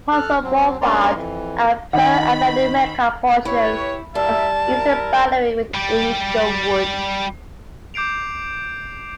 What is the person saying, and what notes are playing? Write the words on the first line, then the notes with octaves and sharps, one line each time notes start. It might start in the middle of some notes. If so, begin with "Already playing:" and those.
Hawthorne Boulevard and Prairie Avenue make up portions of its eastern boundary with Inglewood.
A4 F6 F#6
F#3 C4
G2 A#3 C#4 D5 A#5 C6
F2 E3
D#3 F#5 B5
E4 G4 B4 C#5
G3 E4 A#4 E5 A5
E4 A#4
G3 G4
D6 G6 C7 D7 F7